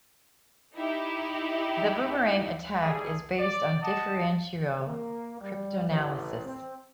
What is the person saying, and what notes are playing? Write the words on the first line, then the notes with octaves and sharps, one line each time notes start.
The boomerang attack is based on differential cryptanalysis.
D#4 E4 G4
G3 A3 D#4 G#4
D5
D#5 F#5 A5
A#3
G3
A1
C4